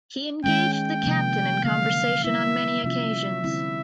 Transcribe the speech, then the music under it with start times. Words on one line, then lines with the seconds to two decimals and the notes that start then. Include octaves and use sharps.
He engaged the captain in conversation on many occasions.
0.44 D#3 G#3 C#4 G5
0.74 G5
1.04 C3 F3 A#3
1.64 D3 F#3 A#3 F5
2.24 G3 B3 E4 E5
2.84 C3 F3 A#3 C#4 F4 E5
3.44 D3 G3 C4 E4